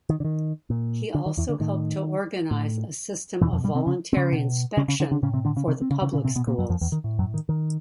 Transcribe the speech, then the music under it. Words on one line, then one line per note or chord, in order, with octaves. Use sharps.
He also helped to organise a system of voluntary inspection for the public schools.
D#3
D3
D#3
A#2
D3
D#3
E2 E3
D3
A2 D#3
A2
E2 B2 E3
F2 F3
G2 G3
C3 C4
C#3 C#4
C4
C#3 C#4
B2
C#3 C#4
C#3 C#4
D3 D4
D3 D4
A2 C#3 C#4
C3 C4
D3 D4
C#3 C#4
C3 C4
C4
C#3 C#4
C#3 C#4
A#2 C#3 C#4
C3 C4
B2 B3
A#2 A#3
F#2 F#3
F2 F3
E2 E3
D#3
A2
F#2 F#3
D#3
D#3